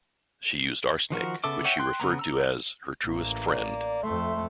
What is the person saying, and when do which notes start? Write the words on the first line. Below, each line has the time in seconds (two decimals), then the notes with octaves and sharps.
She used arsenic, which she referred to as "her truest friend".
1.10 D#3 F3 F#4 A#4
1.44 C#3 B3 A4 E5 D6
1.64 C#5 E5 F#5 G5
1.79 G5 C6 F#6
2.00 C#3 B3 A#5
2.19 A#5 E6
3.05 A1 A#3
3.45 D5
4.03 F2 A3 E5 C6